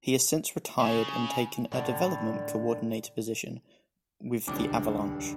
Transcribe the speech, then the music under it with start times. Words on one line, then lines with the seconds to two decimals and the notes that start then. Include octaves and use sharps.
He has since retired and taken a development coordinator position with the Avalanche.
0.80 C#3 G#5
1.72 A2 D3
4.47 D#1 C#2 G2 D4 D6